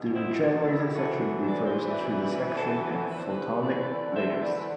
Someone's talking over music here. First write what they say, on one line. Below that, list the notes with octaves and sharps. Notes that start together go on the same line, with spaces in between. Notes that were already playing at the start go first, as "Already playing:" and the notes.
The regenerator section refers to the section and photonic layers.
Already playing: E2 B2
C4 E4
D4 F#4
A4
E4 G4
G4
F#2 E3 F#4 A4
C5
B4 D5
C5 E5
B4 D5
F#4 A4
F#4 A4
E2 D3 B4
C5
G4 B4
B4 D5
C5 E5
B4 D5